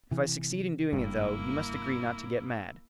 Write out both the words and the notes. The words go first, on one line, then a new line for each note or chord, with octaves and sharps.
If I succeed in doing it, though, you must agree not to get mad.
C3 E3
F#1 G2 A#3 E4